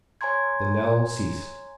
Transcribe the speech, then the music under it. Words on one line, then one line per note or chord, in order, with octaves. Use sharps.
The knell ceased.
C#5 G#5 A#5 C6 G#6